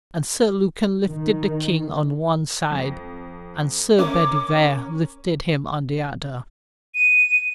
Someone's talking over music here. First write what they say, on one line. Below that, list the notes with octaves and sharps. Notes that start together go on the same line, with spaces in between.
And Sir Lucan lifted the King on one side and Sir Bedivere lifted him on the other.
D#3
F2
C#4 A#4 C#5 D6
D#7